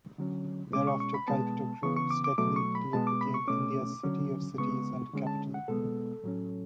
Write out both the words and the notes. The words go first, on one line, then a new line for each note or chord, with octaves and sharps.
Thereafter "Calcutta grew steadily till it became India's 'city of cities' and capital".
D3 F#3 C#4
B2 G#3 C#4 D6
C#6
C#6
B5
B2 G#3 B3 A5
C#3 E3 B3 C#6
C#6
D6
D6
B2 F#3 A3 D6
C#6
B5
B2 G#3 B3 A5
D6
B5
C#6
B2 A3 C#4 D6
D3 F#3 C#4
C#3 G#3 B3 C#6
D3 G#3 C#4
A5
F#5
B2 G#3 B3 A4
A2 F#3 C#4